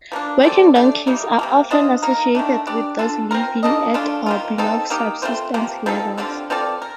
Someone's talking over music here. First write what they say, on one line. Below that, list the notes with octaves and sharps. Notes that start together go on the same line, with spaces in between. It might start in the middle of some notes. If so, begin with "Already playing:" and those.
Working donkeys are often associated with those living at or below subsistence levels.
F3 A#3 D4
A3 C4 G4 D5
A3 D4 G4 D5
C3 G3 A#3 D#4
C3 D#3 A#3
D4 F4 C5 D#5
A#3 D#4 A#4
D#3 A3 D4
D4 G4 D5
D4 F4 A4
C4 F4 A#4
A#3 D4 A4 D#5
F3 A3 D4 F4
D#3 A#3 F4
C4 D#4 A4
A#3 D#4 G4
A3 C4 F4 C5
C3 F3 A#3
F3 C4 D#4 A4
D3 G3 C4 F4
C4 F4 A4 D5
A#4